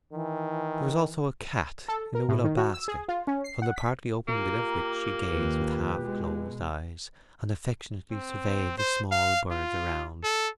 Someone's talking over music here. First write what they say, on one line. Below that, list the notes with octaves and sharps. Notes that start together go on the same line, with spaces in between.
There was also a cat in a willow basket, from the partly-opened lid of which she gazed with half-closed eyes, and affectionately surveyed the small birds around.
D#3 E3
A4
A#4
A2
D#3
F#4
E6
G#4
F4
C#4
C7
F#5
B6
A#3 F4 G4 A#5
D#2 B4
B2 G#3
C4
C5
F5
F4
A4